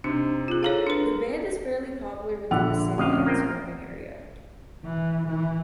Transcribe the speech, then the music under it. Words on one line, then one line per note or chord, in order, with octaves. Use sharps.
The band is fairly popular within the city and surrounding area.
C3 D4 D#4
F4 G#4
E4 G#4 A4 C#5 F5 A#5
D4 B4
A#1 D3 E4 F#5 F7
D2 C4 C#4 D#5 F5
A#3 F4 G5
E3
E3